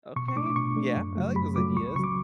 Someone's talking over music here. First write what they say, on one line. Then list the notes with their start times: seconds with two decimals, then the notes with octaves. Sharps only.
Okay. Yeah, I like those ideas.
0.16 B2 C#6
0.28 C#6
0.36 A3 D4 D6
0.46 D6
0.56 B2 C#6
0.76 A3 D4
0.96 F#2
1.16 C#3 F#3 A3
1.36 F#2 B5
1.56 C#3 F#3 A3 D6
1.76 C#2 C#6
1.96 C#3 C#6
1.99 F#3 D6